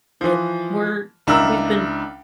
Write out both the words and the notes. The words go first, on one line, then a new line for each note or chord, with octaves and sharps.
it we're we've been f
E3 F3
C#2 D4 E4 A#4 E6